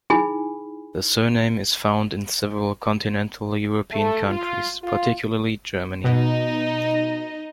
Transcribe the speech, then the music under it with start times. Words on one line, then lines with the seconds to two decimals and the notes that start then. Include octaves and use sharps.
The surname is found in several continental European countries, particularly Germany.
0.10 D#4 E4 G#4 G#5 B5
3.91 A3
4.27 F4
4.82 F4
6.04 B2 D#4 D#5